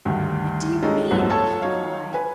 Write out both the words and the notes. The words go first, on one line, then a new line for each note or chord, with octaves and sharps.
"What do you mean?" he cried.
D2 G2 D#3
G3 G#3 C#4 D#4 F4 A4
C2 F#2 F3 F#3 A3 B3
F4 A4 C#5 A5
F#3 D#4 C#5 F5
B4 G#5